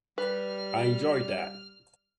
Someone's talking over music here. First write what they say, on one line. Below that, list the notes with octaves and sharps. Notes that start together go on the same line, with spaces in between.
I enjoyed that.
G3 B4 F6